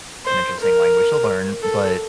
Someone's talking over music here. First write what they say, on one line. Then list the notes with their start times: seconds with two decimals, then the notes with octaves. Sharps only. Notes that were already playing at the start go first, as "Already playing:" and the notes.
an interesting language to learn, but,
0.25 C5
0.60 A#4
1.62 A4